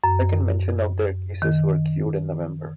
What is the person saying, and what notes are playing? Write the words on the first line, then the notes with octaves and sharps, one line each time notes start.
The second mention of their cases were queued in November.
F#2
D#3